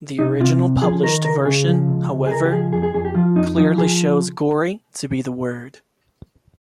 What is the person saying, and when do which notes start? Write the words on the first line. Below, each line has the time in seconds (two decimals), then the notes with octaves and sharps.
The original published version, however, clearly shows "gory" to be the word.
0.19 C2 D#4
0.40 C3 F4
0.61 C2
0.82 F3 G#4
1.03 D#3 A#4
1.25 C#2 A#4
1.45 C#3 G#4
1.67 F3
1.87 C#2
2.10 C#2
2.26 G#4
2.31 C#2 A#4
2.45 G4
2.52 F3 G#4
2.73 F2 G#4
2.83 G#4
2.94 F2 G#4
3.05 G4
3.14 F3 F4
3.36 F2 D#4
3.57 F3 D#4
3.78 F3 G#4